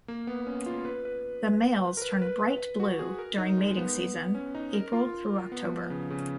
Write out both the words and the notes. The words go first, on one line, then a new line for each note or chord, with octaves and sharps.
The males turn bright blue during mating season, April through October.
A#3
B3
C#4
F4
B4
B4
A#4
B4
B4
F#4
G#4
A#4
D#4
G#3
B3
C#4
D#4
A#4
F4
B3
F3
C#3
C#3